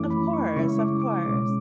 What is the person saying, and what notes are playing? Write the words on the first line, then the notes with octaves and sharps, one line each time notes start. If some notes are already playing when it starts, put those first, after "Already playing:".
Of course, of course.
Already playing: F#2 E3 A3 C#4 E4 D6
B5
C#6
C#3 G#3 C#4 E4 C#6
D6
D6
B2 G#3 C#4 D6